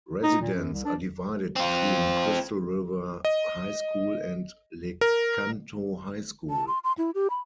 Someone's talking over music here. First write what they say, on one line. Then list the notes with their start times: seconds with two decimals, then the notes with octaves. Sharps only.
Residents are divided between Crystal River High School and Lecanto High School.
0.23 D#4
0.42 A#2
0.54 F#2
0.73 C2
0.85 D4
1.56 C4 F4
3.25 D#5
5.01 A#4
6.50 A5
6.68 C6
6.84 C6
6.98 E4
7.15 G4
7.30 B5